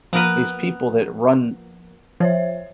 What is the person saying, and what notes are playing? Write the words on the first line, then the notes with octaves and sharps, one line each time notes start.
these people that run
F3 A#3 B3 A#4 B4
F3 C5 C#5 E5